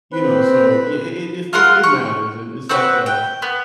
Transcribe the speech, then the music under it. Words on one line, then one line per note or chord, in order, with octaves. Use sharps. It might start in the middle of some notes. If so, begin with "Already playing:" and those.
you know, so yeah, it it it's it it matters, and it's like, uh,
C4 B4
F4 A#4 F#5 C6
C#6
C4 F#4 B4
G5
B3